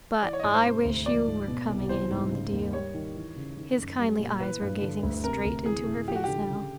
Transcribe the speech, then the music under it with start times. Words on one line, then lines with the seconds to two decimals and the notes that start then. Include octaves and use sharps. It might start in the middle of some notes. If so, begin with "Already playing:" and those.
"But--I wish you were coming in on the deal." His kindly eyes were gazing straight into her face now.
0.23 E3 D5
0.33 C#5
0.40 D#5
0.43 G#2 D5
0.54 C5
0.64 C3
0.85 D2
1.06 F3 D5
1.27 G#2
1.48 B2
1.69 C2
1.89 E3 C5
2.11 G#2
2.31 C#3
2.52 D#2
2.73 G3 C#5
2.94 D#3
3.15 E3
3.36 C#3
3.57 D#3
3.78 F#2
3.99 G3
4.19 A#2
4.40 E3 B4
4.61 G2
4.82 D3
5.03 D2
5.24 C3 A#4
5.45 D2
5.65 E3 G#4
5.86 A2
6.08 F3 G4
6.16 F#4
6.24 D3 G4
6.49 C#3